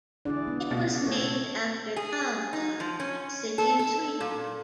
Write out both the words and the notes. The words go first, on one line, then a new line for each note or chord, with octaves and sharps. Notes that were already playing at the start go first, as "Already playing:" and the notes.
It was named after Kalmar, a city in Sweden.
D3 E4 G#4 D5
B3
C#2 B2 A6
A3 A4 C#5
G#4
D#4
F3
C#4
A4
A4
A#2